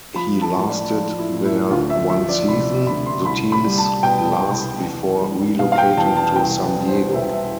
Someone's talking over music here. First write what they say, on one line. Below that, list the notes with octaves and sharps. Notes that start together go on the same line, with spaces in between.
He lasted there one season, the team's last before relocating to San Diego.
F3 B5
A5
A2
D5
F3 F4
E4
A2
E4
D2 F4
E5
F3 E5
D5
C3 B5
D2 B5
C6
C2 B5
B5
G3
A5
B2 G5
C2
E2
G3
B2 F5
F5
G5
E2 A5
A5
C2 G5
B4
G3
C5
B2 E5
E5